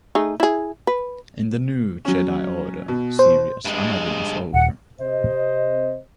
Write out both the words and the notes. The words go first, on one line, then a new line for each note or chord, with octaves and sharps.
In "The New Jedi Order" series, Anakin is older.
A3 D#4 G#4
E4 G#4
B4
F#3 C#4
B2
C5
G2 G#3
D#1 F#5
C3 C5 D#5